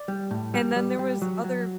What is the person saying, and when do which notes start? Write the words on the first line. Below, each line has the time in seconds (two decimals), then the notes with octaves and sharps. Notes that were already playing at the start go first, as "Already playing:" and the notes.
and then there was other
Already playing: D5
0.08 G3
0.31 A2
0.54 G3
0.76 G3
0.99 G3
1.22 F#3
1.44 F#3